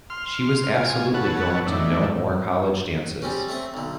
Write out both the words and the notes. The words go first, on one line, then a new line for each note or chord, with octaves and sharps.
She was absolutely going to no more college dances.
C6 F6
F4 G#5
A4 B4 C#5 F#5
A2 D#3 D4 E4
G3 C4 C#4
A3 C4 C#6 D#6
B1 D3